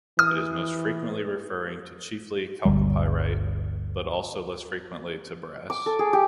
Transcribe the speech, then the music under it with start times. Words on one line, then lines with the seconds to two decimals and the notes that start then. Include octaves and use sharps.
It is most frequently referring to chiefly chalcopyrite, but also less frequently to brass.
0.19 E3 D#6 F6
2.65 G1 D2 G3
5.70 D6
5.86 A4
5.99 G#4
6.13 G4